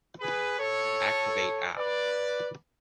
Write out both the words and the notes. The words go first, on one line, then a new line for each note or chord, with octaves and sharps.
Activate app.
G#4 B4
A4 C#5
B4 D5